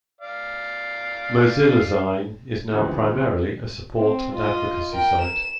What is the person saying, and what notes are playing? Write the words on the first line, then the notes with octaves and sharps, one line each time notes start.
MozillaZine is now primarily a support and advocacy site.
D5 F5
D2 C#3 E3 F3 G3 G#3
C4
F4 D#5
A#4 G5
E7